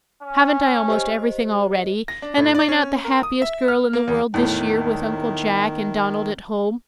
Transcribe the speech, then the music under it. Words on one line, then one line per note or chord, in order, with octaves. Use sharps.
Haven't I almost everything already, and am I not the happiest girl in the world this year, with Uncle Jack and Donald at home?
C#4
G4 C5 D#5
A#6
D4
A2
D5
C#4
A#4
D#6
E5
F6
A#3
E2
E2 A2 D#3